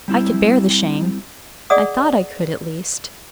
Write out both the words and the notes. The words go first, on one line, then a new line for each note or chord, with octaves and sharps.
I could bear the shame--I thought I could at least.
G3 C4 E4
G#4 D5 D#5 F#5 D#6